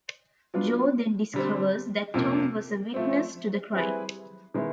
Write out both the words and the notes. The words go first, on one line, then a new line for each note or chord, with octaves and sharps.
Joe then discovers that Tom was a witness to the crime.
F#3 B3 D4 F4
D3 G3 C4
F2 C3 F3 A#3
F3 A3 C4
G3 C4 E4 G#4 B4
D#3 G#3 B3 E4